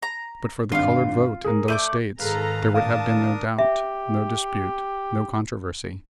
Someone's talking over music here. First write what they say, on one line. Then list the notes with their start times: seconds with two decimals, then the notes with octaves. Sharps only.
But for the colored vote in those States there would have been no doubt, no dispute, no controversy.
0.02 A#5
0.72 G#1 G2 F4 F5
1.44 G#4 A#4
1.68 A3 D5 D6 G6 D#7
2.20 G#2 D#3 G#4 A4 B4 F5 A#5
2.74 D4 A#4 F5 A5 D#6
3.58 G4 E5